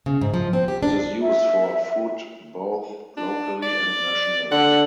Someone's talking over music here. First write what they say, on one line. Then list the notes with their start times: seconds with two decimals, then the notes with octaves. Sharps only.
It is used for food both locally and nationally.
0.06 C#3
0.21 G#2
0.34 F3
0.53 C4
0.68 G4
0.83 D4
1.21 E5
3.17 D4
3.63 D5
4.52 D3 F#5